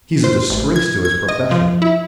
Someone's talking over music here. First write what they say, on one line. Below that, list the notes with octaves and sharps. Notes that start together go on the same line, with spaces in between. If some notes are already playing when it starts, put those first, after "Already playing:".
"He's a disgrace to his profession!"
C5
A1
G#6
G#6
D#5
F3
E4